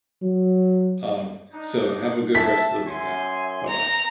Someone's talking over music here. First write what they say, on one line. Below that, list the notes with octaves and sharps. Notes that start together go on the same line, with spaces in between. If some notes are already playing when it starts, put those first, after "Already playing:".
Um, so have a good rest of the weekend. Bye-bye.
F#3
D4 D#4
E5 A5 B6
F#2 G#5 C6
A#5